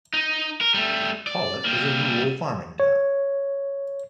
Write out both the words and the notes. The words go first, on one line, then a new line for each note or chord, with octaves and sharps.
Pawlet is a rural farming town.
D#4
A#4
G3 A3
D5
G3 A#3
C#5